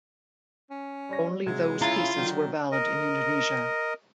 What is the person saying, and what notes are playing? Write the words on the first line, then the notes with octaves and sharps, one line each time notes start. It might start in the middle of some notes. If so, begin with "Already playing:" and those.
Only those pieces were valid in Indonesia.
C#4
G3 C#5 A#6
C3 F#3 G#3 G#6
C#3 E4 F4 A#5 A6
D3 D#3 F#3
A#4 D#5